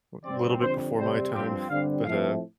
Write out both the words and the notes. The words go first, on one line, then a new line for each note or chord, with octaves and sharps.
a little bit before my time, but uh,
G2 G3 C4 D5
F2 D3 G3 C4 C5
C3 G3 C4 C5
G2 F3 C4 G4
G2 D3 G3 C4 F5
A2 F3 A3 C4 F5